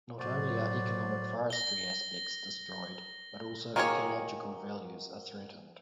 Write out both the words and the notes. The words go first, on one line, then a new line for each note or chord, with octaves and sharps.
Not only are economic forestry aspects destroyed, but also ecological values are threatened.
A2 F#3 F#4 C5 D5
A#6 G7
D#3 F#3 A#3 G#4 C#5